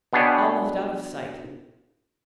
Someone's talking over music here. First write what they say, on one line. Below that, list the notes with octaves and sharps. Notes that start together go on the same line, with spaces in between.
All left out of sight!
B2 B3 D4 G#4 C#5 G5